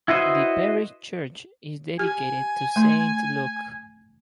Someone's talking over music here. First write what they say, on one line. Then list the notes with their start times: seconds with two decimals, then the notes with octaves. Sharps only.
The parish church is dedicated to Saint Luke.
0.08 E4 F#4 B4 C5 D#5
1.99 G4 G#5
2.76 A3 C6